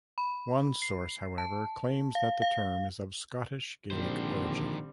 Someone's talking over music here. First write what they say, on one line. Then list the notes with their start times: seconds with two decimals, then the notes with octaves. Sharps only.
One source, however, claims that the term is of Scottish Gaelic origin.
0.18 B5
0.82 C7
1.38 A5
2.15 F5
2.42 F5
3.91 A#1 D3 D#3 G3 C4 C5